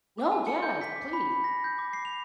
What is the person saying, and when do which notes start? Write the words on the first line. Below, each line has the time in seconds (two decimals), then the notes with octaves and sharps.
No, yes, please.
0.18 D6
0.31 G#5
0.47 C#7
0.62 G6
0.81 B6
0.96 D6
1.13 B5
1.44 A#6
1.64 G6
1.79 D6
1.93 C7
2.05 F7